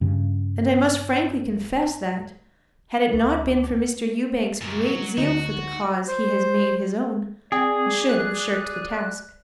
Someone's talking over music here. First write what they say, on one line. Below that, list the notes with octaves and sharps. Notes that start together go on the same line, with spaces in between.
And I must frankly confess that, had it not been for Mr. Ewbank's great zeal for the cause he has made his own, I should have shirked the task.
G2 C#3
D2
F#2 A#2
F#3
D2 D#4 F#4
C5
C4 G#4 D5
F#6